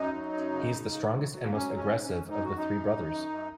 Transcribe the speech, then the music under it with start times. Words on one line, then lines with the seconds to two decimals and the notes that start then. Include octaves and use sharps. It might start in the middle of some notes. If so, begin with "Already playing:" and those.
He is the strongest and most aggressive of the three brothers.
Already playing: F#2 D#4
0.13 F#3
0.33 F#2
0.52 C#3
0.73 G#2
0.92 G#2
1.13 F#3
1.32 F#3
1.44 A#3
1.52 F#3 C#4
1.71 G#2
1.77 C#4
1.91 G#2
2.04 C#4
2.11 G#2
2.30 F#2 D#4
2.44 F#4
2.50 F#2
2.57 D#4
2.70 F#2
2.90 F#2
3.09 F#2
3.29 F#2